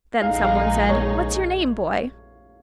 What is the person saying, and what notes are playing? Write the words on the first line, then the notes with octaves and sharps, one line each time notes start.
Then someone said, "What's your name, boy?"
A#1 A#2 G#3 D#4 G#4 F5
F5
C#5